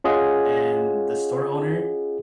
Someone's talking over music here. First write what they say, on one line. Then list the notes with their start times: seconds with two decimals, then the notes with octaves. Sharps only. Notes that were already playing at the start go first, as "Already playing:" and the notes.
and the store owner"
0.04 C#4 F4 G#4 D#5 F#5